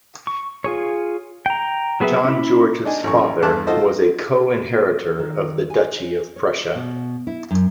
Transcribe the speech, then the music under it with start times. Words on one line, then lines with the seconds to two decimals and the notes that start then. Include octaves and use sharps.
John George's father was a co-inheritor of the Duchy of Prussia.
0.27 C#6
0.64 F4 G#4 C#5
1.46 G5 A#5
2.00 F#3 B3 G#4 B4 E5
2.25 C#4 E4
2.85 D4 D#4 G#5
3.04 A1 F#2 C#6
3.42 E2 G2 A4 A5 D6 F#6
3.67 D#4 F4 F#4 A4 C5 D#5
5.19 D#3
5.70 G#5
6.36 C#5
6.75 B2
7.27 E4
7.51 F#2